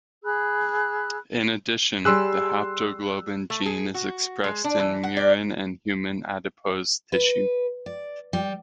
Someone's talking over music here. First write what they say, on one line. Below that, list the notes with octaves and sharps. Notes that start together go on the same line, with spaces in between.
In addition, the haptoglobin gene is expressed in murine and human adipose tissue.
G#4 B5 E6 F#6
G3 G#4 C6 E6 F#6
A3
G#4
F#4
G#3
D4
E3
F#5
D5
B4
D5
G3